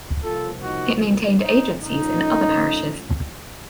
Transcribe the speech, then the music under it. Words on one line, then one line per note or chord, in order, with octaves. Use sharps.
It maintained agencies in other parishes.
C2 C3 F3 A#3 F4 A4
D#4 F#4
D#4
A#2 F3 A3 C#4 D#4